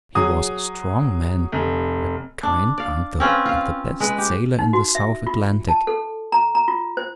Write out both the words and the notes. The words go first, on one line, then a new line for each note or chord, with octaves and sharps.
He was a strong man, a kind uncle and the best sailor in the South Atlantic.
F#3 G#4 D#6
F1
D4
D5 F5
C4 C#4 F4 B4
F4 F5
G#3 B4
G4
D#4
F#4
E5
F4
A5
A4
A#5
A#5
F4
C5